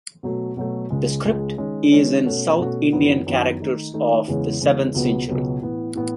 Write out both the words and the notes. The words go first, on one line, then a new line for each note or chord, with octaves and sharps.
The script is in south Indian characters of the seventh century.
B2 F#3 A3
B2 F#3 A3
C#2 C#3 G#3
C#2 C#3 G#3
D#3 G#3 C#4
D#3 G#3 C#4
B2 A3 C#4 F#4 A4
B2 A3 C#4 F#4 A4
F#2 D#3 F#3 B3 E4
F#2 D#3 F#3 B3 E4
D#3 A3 D#4
D#3 A3 D#4
E2 C#3 E3 G#3 C#4
E2 C#3 E3 G#3 C#4
C#2 B2 F#3 B3
C#2 B2 F#3 B3
A2 E3 B3
A2 E3 B3